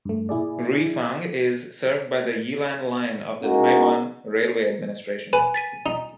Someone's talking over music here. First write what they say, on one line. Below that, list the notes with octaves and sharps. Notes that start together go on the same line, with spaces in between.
Ruifang is served by the Yilan Line of the Taiwan Railway Administration.
G2 A3
A#2 E4 G#4 D5
G#3 A#3 C#4 D#4 E4 F#4
B4 G#5
A6 B6 D#7
D#4